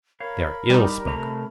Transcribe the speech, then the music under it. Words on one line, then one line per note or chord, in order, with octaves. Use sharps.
They are ill spoken.
A#4 C#5 F5 B5
G3 D#4 G4
C3 A3 A#5